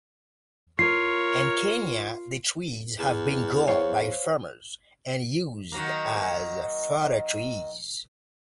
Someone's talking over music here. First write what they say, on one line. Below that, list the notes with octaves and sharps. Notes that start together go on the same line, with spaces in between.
In Kenya the trees have been grown by farmers and used as fodder trees.
F4 A#4 C#5 C7
E2
E2 C5 C#5 F5
D#3 F#3 A#3